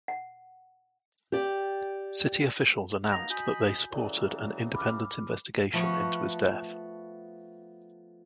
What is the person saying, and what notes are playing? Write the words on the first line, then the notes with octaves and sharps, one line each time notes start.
City officials announced that they supported an independent investigation into his death.
F#5
G4 D5
A#3 B3 D#4 A#6 F7
F#4 D#5 G#5 B5 G6
C#3 E3 F#3 A4 D5
B5 D6 F6
F3 A3 B3 F#4